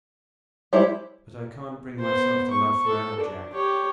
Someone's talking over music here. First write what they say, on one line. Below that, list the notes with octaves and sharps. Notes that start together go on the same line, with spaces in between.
But I can't bring myself to laugh now, Jack.
G3 G#3 E4 C5
B3 C5
C#6
A4
D4
G4 C#5